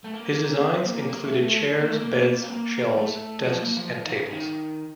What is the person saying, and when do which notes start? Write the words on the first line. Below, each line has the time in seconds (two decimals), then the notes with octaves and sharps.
His designs included chairs, beds, shelves, desks and tables.
0.04 A3
0.14 A#3
0.60 C4
0.85 A#3
1.08 A#3
1.24 A3
1.40 A3
1.80 A#3
1.87 A3
1.96 A#3
2.42 C4
2.50 A#3
2.98 A3
3.46 F3
3.62 A#3
3.76 F3
3.93 F3
4.05 D#3
4.17 C#3
4.31 D#3